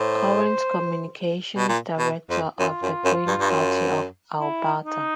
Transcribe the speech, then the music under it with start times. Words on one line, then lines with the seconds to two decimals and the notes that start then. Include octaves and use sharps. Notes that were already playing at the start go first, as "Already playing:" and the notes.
Current Communications Director of the Green Party of Alberta.
Already playing: A2 C5
1.57 B2
1.69 A#2
1.98 B2
2.29 F2
2.59 F#2 F4
2.82 F#2
3.05 F#2
3.27 G2
3.40 G2
3.50 F#2
4.40 E4
4.85 D#4